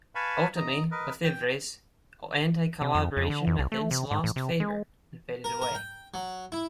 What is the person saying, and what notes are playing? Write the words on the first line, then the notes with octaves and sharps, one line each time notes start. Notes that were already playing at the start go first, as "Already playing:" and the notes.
Ultimately, LeFevre's anti-collaboration methods lost favor and faded away.
B4 F5 G#5 A5 B5 C#6
D#5 A#5
A#4 B4 D#5
G5
C3
F2
F2
D3
F2
C2
A3
C3
G#2
A2
C3
G#3
A#4
A#4
G5
F#3
E4